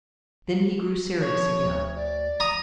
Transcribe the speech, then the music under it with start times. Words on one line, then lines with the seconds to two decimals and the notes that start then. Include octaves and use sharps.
Then he grew serious again.
1.20 F3 C#5
1.65 D2
1.96 D5
2.40 A#5 D#6